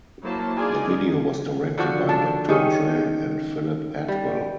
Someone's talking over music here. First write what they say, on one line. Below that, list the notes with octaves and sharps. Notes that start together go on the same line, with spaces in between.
The video was directed by Doctor Dre and Philip Atwell.
F#3 A#3 E4 C5 A5
D#4 F4 G#4 D5 D#5 G#5
D3 F3 F#4
D4 A5
D#3 C#4 G4 G#4
G3